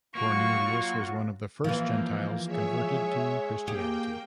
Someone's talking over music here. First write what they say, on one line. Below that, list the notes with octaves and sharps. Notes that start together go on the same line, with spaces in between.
Cornelius was one of the first Gentiles converted to Christianity.
F#3 A#3 F4 F#4 C#6
E3 F3 A#3
G#3 C#5 E5
A#3 G4 G#4 G5